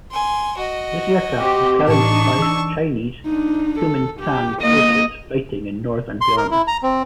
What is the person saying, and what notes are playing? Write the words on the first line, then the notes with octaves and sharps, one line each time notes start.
This aircraft was carrying supplies for Chinese Kuomintang forces fighting in northern Burma.
G#5 C6
F#4 D#5
C4 G4 G5
A2 E3 D4 D#4 A5 C#6
E3 E6
D4 D#4
A4
G4
A#3 D#5
C6
A#4
E4
A#5
C4